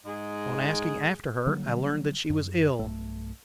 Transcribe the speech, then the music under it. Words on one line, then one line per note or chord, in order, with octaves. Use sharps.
On asking after her I learned that she was ill.
G#2 G#3 G#4
D3 F#3 G3 A#3
F#2
B1 G2 A3